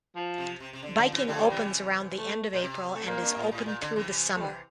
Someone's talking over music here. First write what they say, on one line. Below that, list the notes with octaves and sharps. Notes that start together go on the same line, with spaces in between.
Biking opens around the end of April and is open through the summer.
F3
C3
C3
C3
D3
D3 F3
C3 E3
D3 F3 G3
A3
G3
C3 E3
A3
A#2
C3
A3
A#2 A#3
G2
A2
A2
A#2
D3
C3 E3
A3
G3